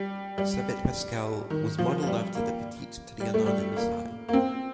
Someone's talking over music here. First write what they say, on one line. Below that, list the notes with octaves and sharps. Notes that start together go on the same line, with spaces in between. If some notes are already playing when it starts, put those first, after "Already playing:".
Sabet Pascal was modeled after the Petit Trianon in Versailles.
Already playing: G3
G3
D#3
F3
F3
G3
A#3
G3
A3
G3
A#3
A#3
C4